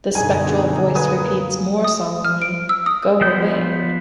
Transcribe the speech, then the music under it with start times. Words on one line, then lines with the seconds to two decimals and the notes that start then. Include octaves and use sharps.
The spectral voice repeats more solemnly, "Go away!"
0.15 F#2 B2 D3 D#4 G#4 G#5
0.95 A#3 B4 G#5 D#6
1.84 D#6
2.25 F6
2.42 D7
2.69 E6
2.86 D#6
3.21 F3 B3 G6